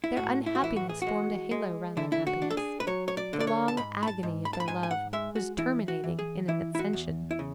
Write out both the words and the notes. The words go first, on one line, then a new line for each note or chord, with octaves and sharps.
Their unhappiness formed a halo round their happiness. The long agony of their love was terminating in an ascension.
E4
A2 F#4
E4
F#4
E3 E4
F#4
G#4
G#3 F#4
G#3
D3 E4
E4
F#4
D4
A4
G#4
B4
F#3 C#5
C#5
D5
D3
D5
C#5
A5
G#2 B5
B5
A5
G#2
B5
A5
B5
G#2 G#5
G#5
F#5
G#3 E5
F#4
E3 E4
F#4
E3
G#4
E3 E4
E4
F#4
E2
E4
C#3